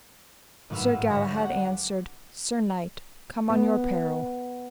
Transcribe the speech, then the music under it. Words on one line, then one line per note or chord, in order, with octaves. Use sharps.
Sir Galahad answered: Sir knight, come on your peril.
G#1 A2 F#3 B4 F5 E6
D2 G4 C#5 A#6 B6
G#3 D4 F#5
B3